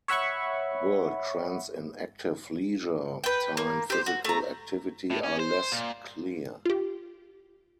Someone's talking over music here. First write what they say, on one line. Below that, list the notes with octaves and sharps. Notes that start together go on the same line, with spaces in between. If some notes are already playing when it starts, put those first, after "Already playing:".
World trends in active leisure time physical activity are less clear.
C#5 E5 F#5 B5 C#6
B4 G5
A#3
G4 C5
F#4
A3 A#5
A2
C#4
C5
A#2
F4 G4